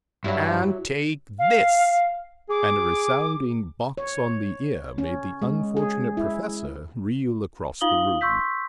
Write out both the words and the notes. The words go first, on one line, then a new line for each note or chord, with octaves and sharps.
"And take this!" and a resounding box on the ear made the unfortunate Professor reel across the room.
G2 F#3 G3 E4
F5
G#4 D6
C#5
C#4
G#3
G#4
E4
D#4 F4 F5 D#6 F#7 G7
C6 C#6 E6 G6 B6